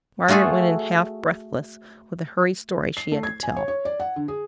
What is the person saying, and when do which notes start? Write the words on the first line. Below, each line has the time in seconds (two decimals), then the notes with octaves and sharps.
Margaret went in half breathless with the hurried story she had to tell.
0.28 A3 F4 F#4 G#4 A4
2.97 C7
3.12 A3
3.23 G#6
3.43 G#5
3.56 C#5
3.68 C#5
3.85 D5
4.00 F#5
4.16 D3
4.28 G#4